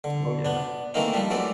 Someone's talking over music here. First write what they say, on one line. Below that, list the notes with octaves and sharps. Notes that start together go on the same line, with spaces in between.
Oh, yeah.
D3
B3 D4
D#3 E3 A3 A#3 C4 D#4
F3 G3 D4 G4
E3 F#3 A3 C4 D5